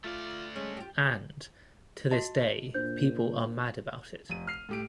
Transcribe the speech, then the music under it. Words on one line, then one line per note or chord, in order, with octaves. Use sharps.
And, to this day, people are mad about it.
A3 F4 D5
G#3 C#4
F4 G4
F#4 D#5 A5
A#2 D4 C5 G6
F1 D#7
F6 C7
A2 G4 D7